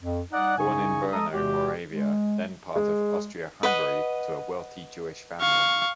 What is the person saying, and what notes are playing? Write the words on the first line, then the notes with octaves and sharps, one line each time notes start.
Born in Brno, Moravia, then part of Austria-Hungary, to a wealthy Jewish family.
F2
G3 D#4 D5 D#5 F#5
C2 F#2 C#3 D#4 G#5 C#6
G#3 A4 A#5 D#6
E2 C3 G#3 F#4 G4
G#3
G#3
B4 D#5 F#5
F5 C#6